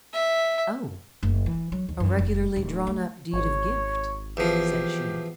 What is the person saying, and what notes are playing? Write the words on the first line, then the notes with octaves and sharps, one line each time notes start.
"Oh! a regularly drawn up deed of gift," said she.
E5
F#1
E3
F#3
D#2
F#2
F1
D1
A3
G#1 C#5
E2 F3 G4